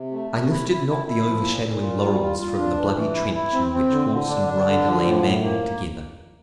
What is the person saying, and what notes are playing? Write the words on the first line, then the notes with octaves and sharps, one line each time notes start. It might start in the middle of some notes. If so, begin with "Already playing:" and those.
I lifted not the overshadowing laurels from the bloody trench in which horse and rider lay mangled together.
Already playing: C3
A3
C3
E4
E4
E4
E4
F3
A#2
A#2
F4
G3
F4
F4
D4
E3
E3
E4
E4
C4
C4
D3
D3
D4
D4
D3
F3
A2
A2
A#3